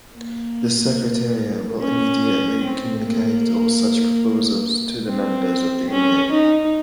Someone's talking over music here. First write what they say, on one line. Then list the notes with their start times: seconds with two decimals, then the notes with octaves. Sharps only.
The Secretariat will immediately communicate all such proposals to the Members of the Union.
0.17 A#3
1.81 C#4
2.64 C4
3.05 A#3
5.09 C4
5.90 C#4
6.32 D#4